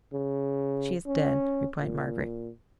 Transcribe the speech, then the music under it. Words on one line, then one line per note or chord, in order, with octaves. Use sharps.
'She is dead,' replied Margaret.
C#3
C#4
A#2